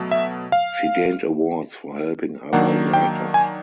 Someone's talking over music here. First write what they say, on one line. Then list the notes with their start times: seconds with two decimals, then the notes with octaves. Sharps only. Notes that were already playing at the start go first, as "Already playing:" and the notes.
She gained awards for helping other writers.
Already playing: B2 F#3 A3
0.11 E5
0.52 F5
2.53 D#3 F#3 A#3 D4 F#5
2.94 G5
3.34 G#5